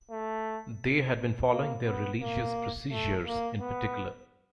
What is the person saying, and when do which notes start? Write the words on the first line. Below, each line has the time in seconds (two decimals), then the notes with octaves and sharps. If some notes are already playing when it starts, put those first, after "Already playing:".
They had been following their religious procedures in particular.
0.11 A3
1.51 A#3
1.86 B3
2.21 A#3
2.91 A3
3.26 A#3
3.61 B3